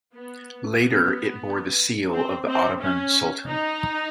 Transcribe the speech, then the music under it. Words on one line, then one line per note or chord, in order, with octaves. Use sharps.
Later, it bore the seal of the Ottoman sultan.
B3
B3
C4
C4
C#4
D#4